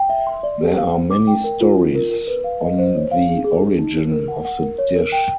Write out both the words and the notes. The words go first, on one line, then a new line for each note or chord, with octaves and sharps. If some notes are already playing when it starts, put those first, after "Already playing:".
There are many stories on the origin of the dish.
Already playing: G5
E5
C6
D5
G4
F5
C5
D6
G5
A#4
F4
F4
A#4
A#4
B4
F5
D#5
C5
C#5
F5
G#4
G#4
D#4
D#4
A#4
A#4
F#5
F#5
A#4
C#5
A#4
G5